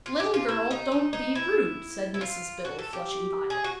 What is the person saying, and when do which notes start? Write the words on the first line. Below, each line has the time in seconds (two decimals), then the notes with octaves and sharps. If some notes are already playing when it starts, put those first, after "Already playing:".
'Little girl, don't be rude,' said Mrs Biddle, flushing violet.
0.06 F4
0.20 G4
0.34 F4
0.48 E4
0.71 D#4
0.92 D#4
1.13 D#4
1.35 E4
2.14 E4
2.21 F4
2.65 F#4
2.79 A4
2.93 G4
3.50 G#4
3.64 F#4